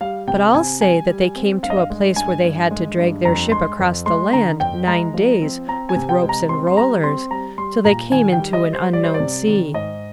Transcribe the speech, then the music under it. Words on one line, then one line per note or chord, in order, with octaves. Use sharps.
But all say that they came to a place where they had to drag their ship across the land nine days with ropes and rollers, till they came into an unknown sea.
G3 F5
C3 G5
C3 G#5
G3 G#5
G3
C4
G2 F5
D#5
F5
G#3
G2 G#5
G2
G#3
G2
F2 A#5
G#3 C6
F2
G#3 C6
D3 A#5
F2 G5
G#3 A#5
F3
C4
C4 A#5
G#5
C3
G5
G#3
A#5
C4 C6
C6
G3 A#5
C4 C6
G3 A#5
G3 C6
A#2 A#5
D#3 G#5
G5
G3
D#5
G3
C5
G3 D5
C5
D5
C3
D#3
G#2 D#5